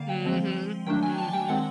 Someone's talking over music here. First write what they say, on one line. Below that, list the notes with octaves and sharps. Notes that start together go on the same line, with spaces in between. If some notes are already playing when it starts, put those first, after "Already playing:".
Mhm. Mhm.
Already playing: D3 G3 A#3 F5
G5
F3 G#3 C4
D#3 F#3 A3 D4 G5
G#5
A5
G5
D#3 G#3 C4 F#5